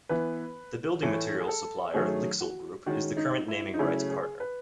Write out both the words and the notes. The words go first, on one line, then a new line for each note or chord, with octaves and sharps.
The building materials supplier Lixil Group is the current naming rights partner.
E3 B3 B4
A2 E3 A3 C#5
G#4
A4
D#3 F#3 A3 C#4 G#4
F#4
D#3 G#3 C#4 F#4
D#4
E4
D#4
C#3 F#3 A3 C#4 E4
G#4
B4